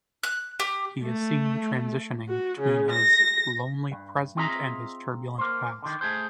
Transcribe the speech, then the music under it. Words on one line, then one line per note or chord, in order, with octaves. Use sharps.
He is seen transitioning between his "lonely present and his turbulent past".
F#6
G4
A3
F#4
C#3
A#6
G2
C4 F4 G#4 D#5 E5 A#5
A#3 C5
D3 D#3
A3 G#4 C5